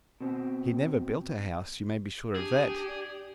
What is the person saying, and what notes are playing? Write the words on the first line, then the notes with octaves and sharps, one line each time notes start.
He never built a house, you may be sure of that.
B2 C4
D4 G4 G#4
D5